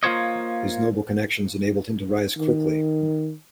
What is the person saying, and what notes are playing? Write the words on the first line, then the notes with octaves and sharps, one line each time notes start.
His noble connections enabled him to rise quickly.
A#3 F4 F#4 C5 C#5 D#5
D#3